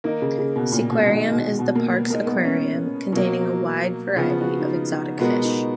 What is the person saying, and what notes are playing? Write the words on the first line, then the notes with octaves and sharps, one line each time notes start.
SeaQuarium is the park's aquarium, containing a wide variety of exotic fish.
D#3 A#3 D#4 A#4
C#3
C#3
B2
A#2
B2
B2 D#3 G#3 D#4
B2
B2
A#3
B3
G#3 A#3 D#4 A#4
B3
C#4
B2 F#3 A#3
C#3 F3 B3 F4
F#4
D#4
F4
D#4
B2 G#3 B3 F4 F#4 A#4
D#4